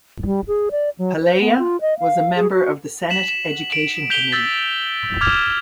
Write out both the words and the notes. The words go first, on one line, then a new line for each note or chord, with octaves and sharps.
Palaia was a member of the Senate Education Committee.
G3
G#4
D5
F#3
C5
B3
F4
D#5
F5
G#4
F#4
B6 E7 F#7
E7
D7 F7
G6 B6 F7 G7
E6 G6 A6 B6
D6 F6 G#6 F7